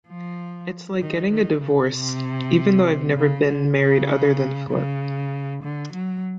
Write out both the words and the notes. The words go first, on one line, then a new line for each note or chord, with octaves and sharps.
It's like getting a divorce; even though I've never been married other than Flip.
F3
D#3
D#3
C#3
C3
C#3
D3
C#3
C#3
D3
F#3